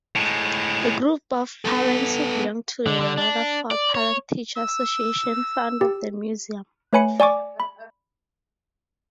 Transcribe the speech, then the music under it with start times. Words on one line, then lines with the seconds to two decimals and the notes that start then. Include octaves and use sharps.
A group of parents who belonged to the Rutherford Parent-Teacher Association founded the museum.
0.16 A2 G#3
1.65 B3 A4
2.87 D3
3.00 D3
3.18 D4
3.71 D5
3.95 C#5
4.56 E6
5.81 G4
6.93 A3 B4 C#5 G#5 B5 C#7
7.20 D5 G#5 C#6 D6
7.60 B5